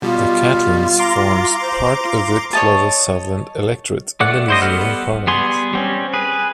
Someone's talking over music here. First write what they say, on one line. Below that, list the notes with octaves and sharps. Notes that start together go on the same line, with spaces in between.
The Catlins forms part of the Clutha-Southland electorate in the New Zealand Parliament.
B2 G3 F4
A#5 C6 D6
C5
F4
C#5 D#5 A5
A3 D5 F#5 F#6
E4 C5 D#5
G3 B3 A4 F#5 F6
G3 B3 G#4 C6
G3 C4 C#4
G#4 B4